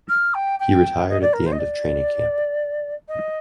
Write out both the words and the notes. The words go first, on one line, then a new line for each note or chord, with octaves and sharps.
He retired at the end of training camp.
F6
G5
G5
D#5
D5
A#4
C5
D#5
D5
D#5